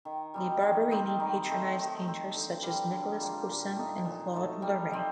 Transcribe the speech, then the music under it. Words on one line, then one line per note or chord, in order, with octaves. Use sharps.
The Barberini patronised painters such as Nicolas Poussin and Claude Lorrain.
D#3
G3 C4 D#4
D#3
G3 C4 D#4
D#3
A3 C4
D#3
A3 C4
D3
G3 A#3 F4
D3
G3 A#3 F4
A#2
A3 D#4
A#2
A3 D#4
G3
C4 D#4